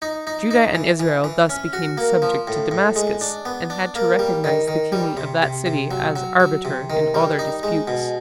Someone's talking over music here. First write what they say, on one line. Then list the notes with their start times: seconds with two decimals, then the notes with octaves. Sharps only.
Judah and Israel thus became subject to Damascus, and had to recognize the king of that city as arbiter in all their disputes.
0.02 D#4
0.27 D#4
0.51 D#4
0.75 E3
1.00 E3
1.24 E3
1.49 C#4
1.73 F#4
1.98 A#3
2.22 F3
2.48 A2
2.71 A2
2.96 G#3
3.21 D4
3.45 B3
3.70 D4
3.95 A#3
4.19 G3
4.44 D#3
4.68 D#3
4.92 G3
5.17 C3
5.42 C3
5.66 C3
5.91 F#3
6.16 F#3
6.40 F#3
6.65 C3
6.90 D#3
7.14 G3
7.39 D#4
7.63 G#3
7.88 B2